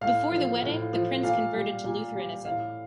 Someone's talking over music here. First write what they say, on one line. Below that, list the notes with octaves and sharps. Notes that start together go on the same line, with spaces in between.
Before the wedding, the Prince converted to Lutheranism.
A2 F5
F3
A2
F3
A#2 F5
G3
A#2
G3
A2 F5